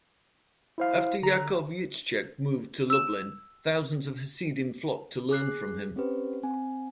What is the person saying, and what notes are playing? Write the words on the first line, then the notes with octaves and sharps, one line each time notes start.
After Yaakov Yitzchak moved to Lublin, thousands of Hasidim flocked to learn from him.
E4 C5 F5
D3 A#5
E6 E7
G#4 D6 F#6 C7
C4 C#4 G4 B4 C5
C4 G#5